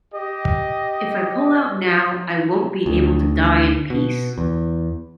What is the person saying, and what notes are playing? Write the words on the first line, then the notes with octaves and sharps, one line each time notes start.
If I pull out now, I won't be able to die in peace.
G4 D#5
D2
B2
E2